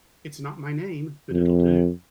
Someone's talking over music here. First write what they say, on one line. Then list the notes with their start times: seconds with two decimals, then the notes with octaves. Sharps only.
It's not my name but it'll do.
1.31 F2